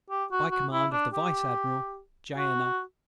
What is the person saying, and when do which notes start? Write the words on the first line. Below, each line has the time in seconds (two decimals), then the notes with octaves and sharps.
By Command of the Vice Admiral. JNO.
0.10 G4
0.32 F#4
0.51 F#4
0.73 E4
0.93 D4
1.14 G4
2.37 F#4